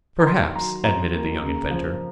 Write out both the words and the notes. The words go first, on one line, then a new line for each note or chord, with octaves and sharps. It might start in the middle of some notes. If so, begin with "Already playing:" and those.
"Perhaps," admitted the young inventor.
A#5
D#3 C6
F#3 A#5
F2 A#5
A#3
C#3
F3